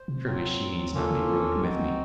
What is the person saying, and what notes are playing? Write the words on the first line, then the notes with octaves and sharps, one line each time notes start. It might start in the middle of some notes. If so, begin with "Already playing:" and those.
Surely she need not be ruined with me?
Already playing: C5
C3
F#3 C4 F4
C3 A#3 C#4 F4 A4
C#3
F#3
F3 C4 D#4 F#4
F3